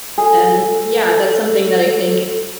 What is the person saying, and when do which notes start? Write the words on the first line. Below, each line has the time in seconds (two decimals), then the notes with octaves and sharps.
and yeah, that's something that I think
0.18 G#4 A4